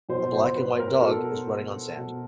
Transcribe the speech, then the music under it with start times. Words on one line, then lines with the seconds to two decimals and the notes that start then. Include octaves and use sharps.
A black and white dog is running on sand.
0.09 B2 C5
0.33 C5
0.56 B4
0.79 A#4
1.02 B2 A4
1.97 B2